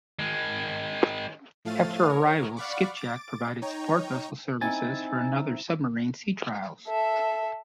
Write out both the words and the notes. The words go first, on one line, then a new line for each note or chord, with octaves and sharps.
After arrival "Skipjack" provided support vessel services for another submarine's sea trials.
D#3 G#3
A2 F3 A3 F5 A6 D#7
A#4 C#5
D5 F5 F#5 B5 C#6 D6
D6 A6 D7
D#4 C#5 G5 A#5
C4 D#4 E4 G#5 A6
A4 E5